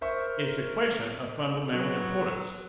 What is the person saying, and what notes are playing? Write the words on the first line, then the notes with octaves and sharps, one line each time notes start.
Is the question of fundamental importance?
A#4 C5 E5 C#6
F#3 B3